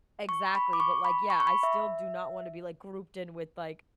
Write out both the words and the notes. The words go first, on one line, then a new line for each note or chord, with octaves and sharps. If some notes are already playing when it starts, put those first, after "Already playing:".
Exactly, but, like, yeah, I still do not wanna be like grouped in with like,
C#6
B5
D6
C#6
B5
C#6
C#6
B5
E5